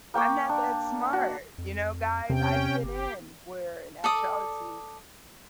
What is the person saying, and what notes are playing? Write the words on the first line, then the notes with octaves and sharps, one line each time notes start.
I'm not that smart, you know, guys, I fit in." Where, in actuality,
A#3 G5 C#6 D6
D4
F#4
F2
E2 C3 C#4 G5
G1 G4
A4 D5 D#6